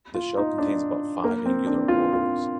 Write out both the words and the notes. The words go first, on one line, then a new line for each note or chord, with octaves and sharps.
The shell contains about five angular whorls.
F4
D#4
D4
A#3
C4
D4
F4
F4